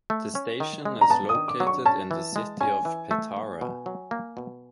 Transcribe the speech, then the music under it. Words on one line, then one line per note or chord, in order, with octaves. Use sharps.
The station is located in the city of Petare.
A3
C#4
D#3
G#3
A#5
B3 A5
D#6
D#3
D6
F#3
C#6
C#4 A5
E3
G#3
C#4 G#5
E3
A3
A#3
B2
F#3
A#3
B2